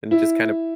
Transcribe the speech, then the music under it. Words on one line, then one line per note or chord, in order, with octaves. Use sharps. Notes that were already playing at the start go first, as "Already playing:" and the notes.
And just kind of
E4